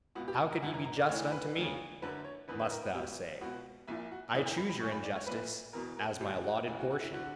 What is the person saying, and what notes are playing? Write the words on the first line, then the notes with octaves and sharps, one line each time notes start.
"How could ye be just unto me!"--must thou say--"I choose your injustice as my allotted portion."
C#2 B2 F#4
G4
A#4
G1 F#2 E3 F#5
A#5
A#5
D5
D2 C#3 E3 C#5
B4
E1 D2 C#3
F#1 F#2 D3 B4
C#5
F#1 E2 D3 B4
B4
A#4
B4
C#2 B2 G4
C#2 B2 F#4
A#1 A#2 E4
F#4
F#1 E2 C#3 D5
G5
B5
B5
D2 C#3 E3 C#6
B5
D5
C#5
A#1 A#2 B4
E1 E2 B2 A#4
A#4
D2 D3 G4
F#4
D2 C#3 E3 F#4
F#4
F#4
E4
D3 F#4